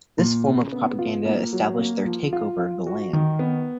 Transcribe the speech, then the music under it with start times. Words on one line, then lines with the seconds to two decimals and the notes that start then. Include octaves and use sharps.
This form of propaganda established their takeover of the land.
0.18 A#2
0.45 C#3
0.73 B3
0.99 F4
1.25 A#3
1.53 F#3
1.79 A#3
2.05 F3
2.33 F4
2.59 F4
2.87 F#4
3.13 D#3
3.39 B3